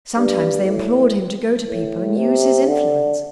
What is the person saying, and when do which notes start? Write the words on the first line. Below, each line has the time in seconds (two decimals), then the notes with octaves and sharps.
Sometimes they implored him to go to people and use his influence.
0.17 G2
0.67 A2
1.67 A2
2.18 C3
2.68 D3